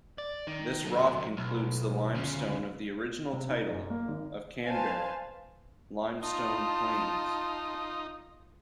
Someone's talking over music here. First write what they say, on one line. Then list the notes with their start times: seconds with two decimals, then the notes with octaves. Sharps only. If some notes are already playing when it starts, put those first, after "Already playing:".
This rock includes the limestone of the original title of Canberra "Limestone Plains".
0.18 D5
0.47 D#3
0.85 F#3 A3
1.37 B1
2.15 D2 C#3
3.33 C3
3.49 D#4
3.71 F#2
3.90 A#3
4.08 G#1
4.65 B4 C5 F5 G#5 A5
6.23 D#4 F4 A5